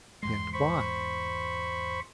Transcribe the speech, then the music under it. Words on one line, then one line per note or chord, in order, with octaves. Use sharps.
Yet why?
E2 G#2 G#3 C6
C5 B5 C#6